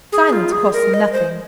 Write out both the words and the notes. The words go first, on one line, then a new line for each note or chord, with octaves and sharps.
Silence costs nothing.
G#4
F4
G#4
A#4
D#5
C5